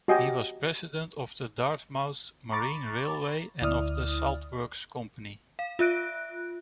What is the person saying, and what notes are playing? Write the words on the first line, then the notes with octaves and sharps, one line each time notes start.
He was president of the Dartmouth Marine Railway and of the Salt Works Company.
F#4 G4 D#5 G5 G#5
A#5 B5 C#6 D6 A6
D2 E4 D5 D#6 F6
F5
F4 E5 F#6 D7